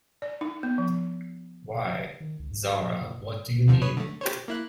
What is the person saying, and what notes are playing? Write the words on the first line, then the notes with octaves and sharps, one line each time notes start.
Why, Zahra, what do you mean?
D5
D#4
B3
F3
D#3
C#2
G#2
A#2
G#2
D#2 D3 F3
B4 C#5 D#6
D3 A3
G4 C5 C#5
A#3 E4 F#6